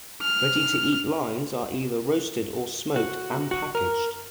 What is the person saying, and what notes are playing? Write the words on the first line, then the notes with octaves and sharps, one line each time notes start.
Ready-to-eat lines are either roasted or smoked and packaged.
F6
F#4
F#4
A#4